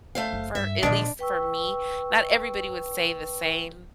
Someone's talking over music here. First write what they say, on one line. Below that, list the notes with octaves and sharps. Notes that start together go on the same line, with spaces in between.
for at least for me. Not everybody would say the same
A3 C5 F5
F#1
G2 E5
A#2 D3 D#3 F3 B3 D4
B4 G5 C#6 E6